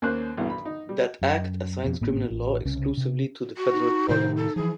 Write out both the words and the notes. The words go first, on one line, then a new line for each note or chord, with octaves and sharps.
That Act assigns criminal law exclusively to the federal Parliament.
D#2 A#3 C#4 C5 F#6
B1 G2 E3 B3
B5
D#4
G3
F#2
F2 B2
G#1 A2 A#3 B3
A1
C2 C#3 C#4
C3
F#4
D#4
A2 C3 D#3 C5
A4
E3 F3 G#4